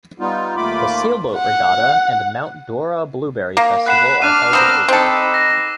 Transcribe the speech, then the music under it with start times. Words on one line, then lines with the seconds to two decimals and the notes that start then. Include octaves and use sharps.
The Sailboat Regatta and Mount Dora Blueberry Festival are held in April.
0.20 G3 B3 D#4 F4
0.56 D#2 A3 A#3 F4 B5 D6
1.37 F#5
3.57 A#3
3.86 F#5 B5 F#6 C7 E7
4.22 D4 D6 F6 F#6 D#7
4.53 B3 C4 A#4 E6 E7
4.88 C4 D#4 A4 B5
5.34 A#6